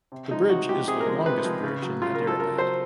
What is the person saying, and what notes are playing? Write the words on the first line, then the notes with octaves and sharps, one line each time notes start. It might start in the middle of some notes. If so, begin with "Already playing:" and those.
The bridge is the longest bridge in Hyderabad.
C3
F3 G#3 D#4
C3 F#4
F3 G#3 G4
C3 G#4
A#4
F3 G#3
C3 B4
F3 G#3
C#3
F#3
C#3 F4
A#4
F#3
A4
C#3 A#4
F#3 C5